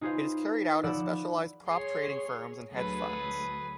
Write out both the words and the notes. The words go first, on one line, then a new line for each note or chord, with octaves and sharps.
It is carried out at specialized prop trading firms and hedge funds.
D#4 F4 G#4 B4 C5 F5
F3 D5 F#5 B5 E6
G#4 C#5 C6
D2 F#3 G#4 A4 B4